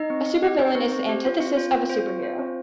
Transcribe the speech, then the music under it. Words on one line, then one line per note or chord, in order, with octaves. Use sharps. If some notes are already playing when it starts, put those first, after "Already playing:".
A supervillain is the antithesis of a superhero.
Already playing: D#4 D#5
C4
C4
G4
D#4 C5
C4
C4
G4
F4
C4
F4
C4
F4 C5
C4
F4
C4